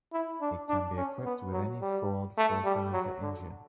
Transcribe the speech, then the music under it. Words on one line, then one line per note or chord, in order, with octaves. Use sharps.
It can be equipped with any Ford four-cylinder engine.
E4
D4
D4
C#4
B3
F#3
G3
A3
G3
F#3
D3